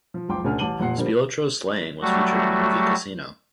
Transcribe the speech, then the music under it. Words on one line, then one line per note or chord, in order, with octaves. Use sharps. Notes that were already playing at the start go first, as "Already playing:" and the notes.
Spilotro's slaying was featured in the movie "Casino".
F3
F#1 C#2 F3 G5 C6 D6
D2 C#3 D4 A#4 G#5 F6
A1 A5 D6 D#7 F#7 G7
F1 A#2 F#5 C7
D3 F3 G3 A#3 C5
F#3 G3 A3 F#4